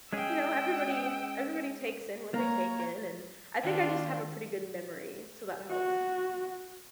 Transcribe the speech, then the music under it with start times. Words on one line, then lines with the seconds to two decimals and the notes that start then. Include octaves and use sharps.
you know, everybody everybody takes in what they take in, and I think I just have a pretty good memory, so that helps.
0.13 G#3 C#4 G#4 G5 E6
2.34 A#3 C#5 A#5
3.63 D#3 D4 F4 F5 G5
5.70 F#4